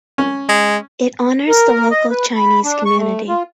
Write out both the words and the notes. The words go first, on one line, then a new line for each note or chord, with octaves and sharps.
It honors the local Chinese community.
C#4
G#3
A#4
D#5
B4
B5
D4
C#6
A3
F4